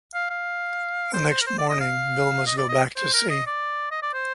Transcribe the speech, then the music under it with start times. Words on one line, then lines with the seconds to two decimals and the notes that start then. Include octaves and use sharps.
The next morning Bill must go back to sea.
0.14 F5
0.30 F5
1.14 C5
1.30 C5
1.41 A#4
1.47 C5
1.58 D5
1.69 D#5
1.80 F5
2.47 D#5
2.58 D5
2.69 D#5
2.97 C5
3.13 A#4
3.30 D#5
3.47 D5
3.91 D#5
4.02 D5
4.13 C5